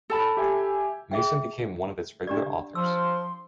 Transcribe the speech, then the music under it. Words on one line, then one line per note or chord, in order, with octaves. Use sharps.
Mason became one of its regular authors.
A4 A5 B5
G4 E5 G#5
G#4 E5 G5
D4 G4 D5
F3 C6 E6